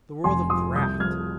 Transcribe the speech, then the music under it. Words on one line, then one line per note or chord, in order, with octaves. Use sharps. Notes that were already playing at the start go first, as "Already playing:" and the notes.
The world of graft!
F1 G#5 C6
F3 C6 D#6
C2 D#6 G6
F3 F6 G#6